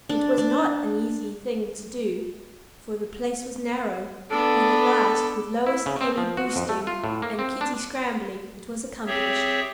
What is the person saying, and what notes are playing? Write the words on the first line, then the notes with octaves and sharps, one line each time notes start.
It was not an easy thing to do, for the place was narrow; but at last, with Lois and Emmy "boosting," and Kitty scrambling, it was accomplished.
D4
D4
B3 D4 A4
E4
C#3
C4
F3
F#4
F2
A3
F4
A2
A#3
C4
D4
C4 G4 G#4 C#5 E5